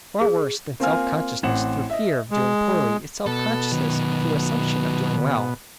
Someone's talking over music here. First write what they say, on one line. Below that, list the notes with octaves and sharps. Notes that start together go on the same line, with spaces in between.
Far worse than self-consciousness through fear of doing poorly is self-consciousness through assumption of doing well.
G#4
A#3 C4 F4 F5 G#5 F6
A1 C4 F#5 E7
D#5 E5
G#3
B2 A4
D#3 F#3